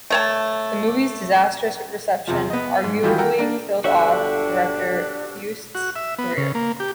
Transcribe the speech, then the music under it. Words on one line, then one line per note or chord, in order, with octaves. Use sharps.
The movie's disastrous reception arguably killed off director Fuest's career.
A3 C#5 A5
E2 C3 F3
B3 D#5
G#2
D#3 E3 G3 F4 F#4
A4 A#4 F#5 G5
A#3 D4
G1 D3 D4 F#4 G4 A4 E5
F#4
E5
B3
C#3
A#3
G4